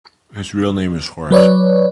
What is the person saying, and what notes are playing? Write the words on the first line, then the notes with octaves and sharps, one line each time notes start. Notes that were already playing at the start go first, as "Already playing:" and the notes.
His real name is Horace.
F#3 B4 C#5 D5